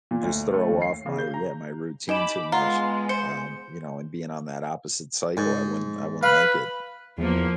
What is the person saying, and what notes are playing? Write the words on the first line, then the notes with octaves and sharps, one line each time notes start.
Just throw off my, yeah, my routine too much, um, you know, and being on that opposite cycle, I wouldn't I wouldn't like it.
A#2
D2
A3
D#2
C7
C#3
G6
A#5
D#4 G4 D#5 B5 D6 E7
G#3 B3 F4 F#5 A#5
C5 C#7
G#2
B4 F5
E2 F3 A#3